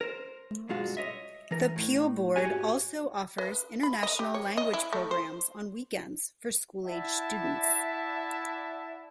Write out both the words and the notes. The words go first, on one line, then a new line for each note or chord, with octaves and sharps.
The Peel board also offers International Language Programs on weekends for school-aged students.
A#4 C5
B1 G2 G#3 F4 F#4 F5
C#5 D#5 E5
E3 A#4
A2
G#2 D#3 F#4 G4 C#5 G#5
B4
B5
D#5
G4
C#5
D#5
E4
A3
C5
E4 D5 E5 F#5 A5